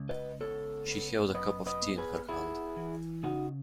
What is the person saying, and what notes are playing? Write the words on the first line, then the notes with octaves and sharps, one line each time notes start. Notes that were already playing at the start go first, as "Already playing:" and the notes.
She held a cup of tea in her hand.
Already playing: C#2
B4 D#5
B3 A4 C#5
B3
F#2 B4 D#5
B4 D#5
B3
G#4 B4
B3 E4 G#4
E3
C#3 D#4 F#4